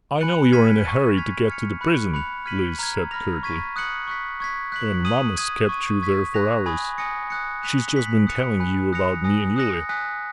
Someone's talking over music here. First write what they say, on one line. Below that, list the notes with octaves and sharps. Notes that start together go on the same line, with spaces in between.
"I know you are in a hurry to get to the prison," Lise said curtly, "and mamma's kept you there for hours; she's just been telling you about me and Yulia."
G#5 B5 F#6 C#7 F#7
F6 G#6 B6 D#7
C#6 G#6 D#7
F6 G#6 B6 F7
F6 G#6 C#7 F7
B5 F#6 C#7
B5 F#6 C#7 F7
F6 G#6 B6 D#7 F#7
A#5 F6 G#6
B5 F6 A#6 F7
C#6 G#6 B6 D#7
D#6 F#6 C#7 F#7
C#6 F#6 B6
C#6 G#6 B6
F#6 B6 F#7
D#6 G#6 D#7 F#7
D#6 G#6 D#7 F#7
C#6 G#6 D#7
C#6 G#6 B6
F#6 A#6 F7
G#5 B5 D#6 G#6
G#5 D#6 A#6 C#7
D#6 F#6 C#7
F#6 B6 F7
F#6 B6 F#7
D#6 F#6 C#7 F7
G#5 B5 F#6
D#6 F#6 A#6 C#7 F7
G#5 D#6 A#6
D#6 F#6 A#6 C#7
G#5 D#6 F#6 B6